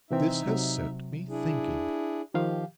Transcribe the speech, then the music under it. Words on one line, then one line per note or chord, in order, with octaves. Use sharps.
This has set me thinking.'
C3 E3 C4 D#4 E5
C3 F#3
D4 E4 G#4
D#3 F3 G4 F5